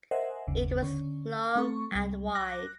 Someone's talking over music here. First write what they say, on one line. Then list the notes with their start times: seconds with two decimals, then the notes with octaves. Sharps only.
It was long and wide.
0.11 A#4 C5 D#5 E5 F#5 G#5
0.47 G1 D#2 C#3
0.82 D3 C#4
1.56 A3 C4 A4 C#6
1.92 C2 G3
2.35 D6 F#6 A#6